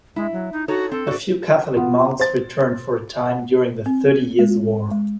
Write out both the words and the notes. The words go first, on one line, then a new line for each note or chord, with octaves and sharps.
A few Catholic monks returned for a time during the Thirty Years' War.
G#3 E4
F#3
D#4
D#4 F#4 A4 C#5
C4 A4
F#4 D5
B3 F4
C5 A6
C4
G#3
G#3